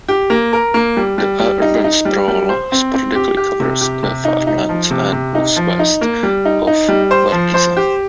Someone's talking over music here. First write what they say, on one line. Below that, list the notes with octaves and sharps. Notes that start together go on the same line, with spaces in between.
The urban sprawl sporadically covers the farmlands and moves west of Varkiza.
G4
A#3
A#4
A#3
G3
G3
G3
D#4
D#4
G3
G3
C5
C4
C4
G4
G4
C3
G4
C3
D#4
D#4
F3
C3
C3
D#4
F3
D#4
A#3
G3
D#4
D#4
G3
C5
F3
C5
G4